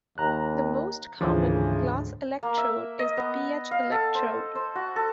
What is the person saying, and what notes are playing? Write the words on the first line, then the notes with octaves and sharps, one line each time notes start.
The most common glass electrode is the pH-electrode.
D#2 A#5 F#6
D2 G#2 C#3 E3 F3
A#3
E5
D#5
B3
F5
A4
C5
C5
F#4
A4